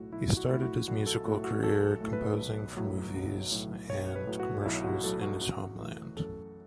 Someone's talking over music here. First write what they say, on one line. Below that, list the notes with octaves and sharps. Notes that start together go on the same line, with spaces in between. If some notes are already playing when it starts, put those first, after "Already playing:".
He started his musical career composing for movies and commercials in his homeland.
Already playing: B1 A2 A3 E4 F#4
B1 E4
F#4
A2 A3 E4
F#4
B1 F#4
A4
A2 A3 F#4
F#4
B1 A4
A2 A3
B4
B1
A2 F#3
B1
A2 F#3
B1 C#5
B4
A2 F#3
F#4
B1 E4
F#4
A2 F#3 A4
F#4
F#2 F#4
E3 A3
F#2 A4